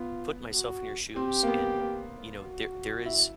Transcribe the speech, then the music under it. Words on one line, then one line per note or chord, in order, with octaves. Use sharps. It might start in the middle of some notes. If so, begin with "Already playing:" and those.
put myself in your shoes, and, you know, there there is
Already playing: B3 F4
F#4
C4 G4
A#3
B3
A#3
F#4
E4